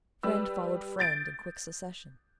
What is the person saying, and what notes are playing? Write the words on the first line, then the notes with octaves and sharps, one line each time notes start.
Friend followed friend in quick succession.
G3 B4 E6
G6 A6 D7